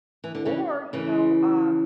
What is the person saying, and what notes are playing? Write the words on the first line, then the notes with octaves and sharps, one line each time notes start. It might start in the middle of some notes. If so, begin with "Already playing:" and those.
or you know, uh,
E3
D3
C#3 E3
C#3 E3